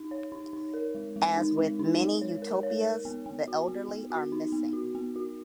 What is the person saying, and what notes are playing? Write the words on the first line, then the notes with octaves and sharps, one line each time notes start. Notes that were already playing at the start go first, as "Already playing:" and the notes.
As with many utopias, the elderly are missing.
Already playing: D#4
C#5
D#4
D#4
A#4
G#3
G#3
D#4
G#3
D#4
G#3
C#5
A#4
C#5
A#4
B3
B3
F#4
B3
B3
F#4
D#4
B3
F#4
B3
F#4